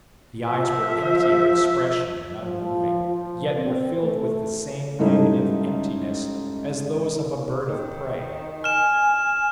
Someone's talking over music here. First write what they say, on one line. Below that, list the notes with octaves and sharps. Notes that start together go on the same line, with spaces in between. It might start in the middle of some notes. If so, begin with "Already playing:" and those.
The eyes were empty of expression and unmoving, yet were filled with the same negative emptiness as those of a bird of prey.
F3 E5
F3
F3
C4
A3
G#2 C#3 G3 A3 D#4 E4
D#3
G#5 F6 E7